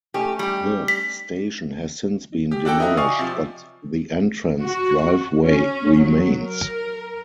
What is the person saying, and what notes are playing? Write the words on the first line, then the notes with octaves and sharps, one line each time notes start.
The station has since been demolished but the entrance driveway remains.
A3 C#4 D#4 G4
G3 G4
B6
G4
D4 F#4 A4 G5
D#4 E4 F#4
D5 D#5 F5 G#5 C#6 D#6
C3 F3
F#4
C#4
F#3
A#4